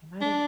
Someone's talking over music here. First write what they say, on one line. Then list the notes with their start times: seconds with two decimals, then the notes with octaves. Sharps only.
it might've
0.21 D4